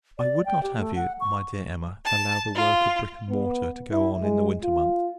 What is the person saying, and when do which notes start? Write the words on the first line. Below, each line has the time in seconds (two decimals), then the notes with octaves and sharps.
I would not have you, my dear Emma, allow the work of brick and mortar to go on in the winter months.
0.18 D5
0.45 G5
0.63 G4
0.78 A3
0.96 F#5
1.20 C#6
2.04 A5
2.55 F4
3.30 B3
3.91 E4
4.22 G#3
4.63 F4